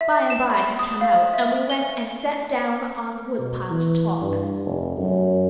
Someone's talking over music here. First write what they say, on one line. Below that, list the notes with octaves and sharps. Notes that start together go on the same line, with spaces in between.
By and by he come out, and we went and set down on the woodpile to talk.
E5
E7
B5
D#6
F5
E5
G7
B2
E3
G2
F1
F#2